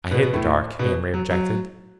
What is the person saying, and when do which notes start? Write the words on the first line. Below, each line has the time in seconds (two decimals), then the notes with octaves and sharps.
"I hate the dark," Amory objected.
0.11 B2 B3
0.22 B2 B3
0.33 A2 A3
0.79 B2 B3
1.14 F#3
1.30 F#3